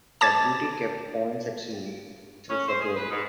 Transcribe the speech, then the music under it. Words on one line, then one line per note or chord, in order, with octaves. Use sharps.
That duty kept "Ponce" at sea through February.
A5 D6 G#6 A6
C#4
C5
G#4
B4
G#2